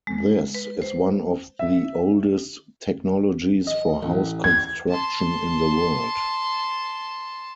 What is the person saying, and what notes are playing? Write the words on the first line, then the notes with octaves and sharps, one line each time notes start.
This is one of the oldest technologies for house construction in the world.
G#3
B4
C5
E5
D#5
A1
G#6
A5 C6